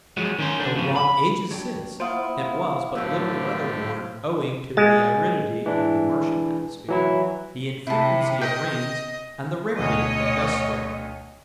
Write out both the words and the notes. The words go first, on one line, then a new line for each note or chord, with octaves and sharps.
Though wrought ages since, it was but little weather-worn owing to the aridity of the Martian atmosphere, the infrequency of rains, and the rarity of dust storms.
F3 F#3 G#3
D#3 C#4 C5
D3 D4
C#3 F3
B5
F#3 D4 G4
A#3 E4 F4 C5 F5 F#5 D#6
A2 D3 F#3 B3 G4 E6
G#3 A6
E3 D4
E3 F#3 E4
C3 E4 A5
D#5 G5
D2 B2 C#5 D#5